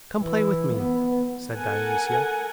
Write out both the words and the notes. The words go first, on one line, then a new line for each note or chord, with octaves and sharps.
"Come play with me," said Dionysia.
E3
B3
A4 A#4 F#5 G#5